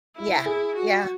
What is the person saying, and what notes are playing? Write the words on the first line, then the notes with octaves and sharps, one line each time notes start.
Yeah. Yeah.
E4
G#4
F#4